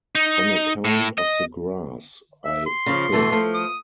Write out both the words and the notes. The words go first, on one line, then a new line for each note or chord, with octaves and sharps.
On account of the grass, I think.
D#4
A2
D#5
E5
C6
C#3 F3
B2 E3 A3
F3 A3
D#6